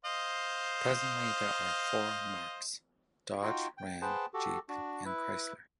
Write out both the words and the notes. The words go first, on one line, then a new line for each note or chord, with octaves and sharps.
Presently there are four marques: Dodge, Ram, Jeep, and Chrysler.
C5 D#5 F5
D#4 F4 F#4 G5
G5
G#4 B4 C5 F#5 G5 A5
F#4 G4 A4
D4 F#4
E4 B4